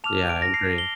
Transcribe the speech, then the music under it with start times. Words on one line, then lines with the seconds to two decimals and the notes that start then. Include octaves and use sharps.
Yeah, I agree.
0.04 A5 D6 F6 F7
0.29 D7
0.42 A#6
0.54 C7
0.78 G7